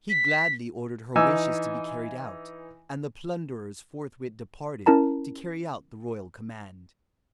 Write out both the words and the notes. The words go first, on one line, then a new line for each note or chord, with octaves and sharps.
He gladly ordered her wishes to be carried out, and the plunderers forthwith departed to carry out the royal command.
B6
E3 D#4 G#5 E6
C#4 E4 A#4 A5 A#5